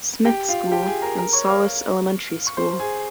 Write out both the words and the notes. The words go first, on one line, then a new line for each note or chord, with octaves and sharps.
Smith School, and Solace Elementary School.
G4 G5
F4 F5
G4 G5
G5
G#4 G#5
A#4 A#5
A#4 A#5
C#5 C#6
F5 F6
C#6
C5 C6
G#4 G#5